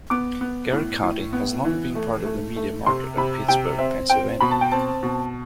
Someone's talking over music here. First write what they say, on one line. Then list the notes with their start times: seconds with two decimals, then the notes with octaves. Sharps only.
Garrett County has long been part of the media market of Pittsburgh, Pennsylvania.
0.10 B3 D6
0.41 B3
0.72 A2
1.03 A2
1.33 B3
1.65 E3
1.95 A3
2.25 A3
2.56 A3
2.86 C3 C6
3.17 C3 B5
3.48 C3 G5
3.79 C4 E5
4.09 C4 G5
4.40 B2 B5
4.51 A5
4.61 G5
4.72 C4 A5
5.03 B2